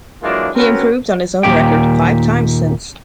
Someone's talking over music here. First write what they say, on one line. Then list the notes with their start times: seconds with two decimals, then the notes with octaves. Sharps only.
He improved on his own record five times since.
0.22 E3 F#3 G#3 A#3 D4 F4
0.55 C4 C#4 F#4 A#4 B4
1.43 D#2 A#2 D#3 A3 G4 G5